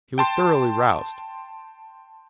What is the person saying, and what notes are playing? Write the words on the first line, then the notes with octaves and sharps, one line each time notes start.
He was thoroughly roused.
G5 A5 C6